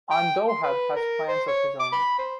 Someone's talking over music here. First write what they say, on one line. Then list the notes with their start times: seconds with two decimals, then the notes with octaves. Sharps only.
Andoheb has plans of his own.
0.11 G5
0.48 C6
0.64 B4
0.96 A#4
1.28 C5
1.48 C#5
1.80 D6
1.93 B5
2.19 C5